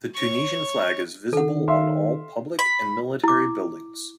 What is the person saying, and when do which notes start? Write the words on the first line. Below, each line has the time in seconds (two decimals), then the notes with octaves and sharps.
The Tunisian flag is visible on all public and military buildings.
0.14 C#5 C#6
1.33 D#3 A4 F#5
1.68 E5 F5 C6
2.59 B5
3.24 E4 D6